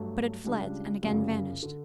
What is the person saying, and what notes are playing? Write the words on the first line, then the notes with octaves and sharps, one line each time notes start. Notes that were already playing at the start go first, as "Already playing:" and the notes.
But it fled, and again vanished.
Already playing: G2 F#3 A3
C#2 C#3 G3 D4
G1 F#2 C#3 G3
D3